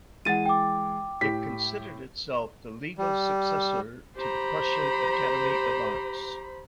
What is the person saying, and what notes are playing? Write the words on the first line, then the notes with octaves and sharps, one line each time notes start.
It considered itself the legal successor to the Prussian Academy of Arts.
E3 G#3 F#5 A6 D#7
G5 D6
A2 G4 B6
G3
G4 C5 A#5 B5